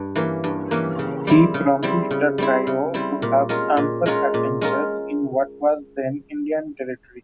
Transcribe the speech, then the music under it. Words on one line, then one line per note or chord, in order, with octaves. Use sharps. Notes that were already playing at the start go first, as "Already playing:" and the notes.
He promised the trio would have ample adventures in what was then Indian Territory.
Already playing: G2
E3 A#3 C#4
G2
E3 A#3 C#4
C#3
G3 C4 E4
C#3
G3 C4 E4
C#3
G3 C4 E4
C#3
G3 C4 E4
A#2
G#3 C#4 F4 A#4
A#2
G#3 C#4 F4 A#4
A#2
G#3 C#4 F4 A#4